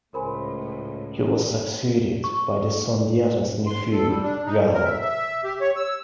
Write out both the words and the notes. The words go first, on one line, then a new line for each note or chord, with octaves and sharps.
He was succeeded by Sundiata's nephew Gao.
C#2 A2 A#4 C5 G#5 B5 C6
C#6
C6
A4
G3
D4
D#4
B2
A#4
E5
E5
G4
C#5
E6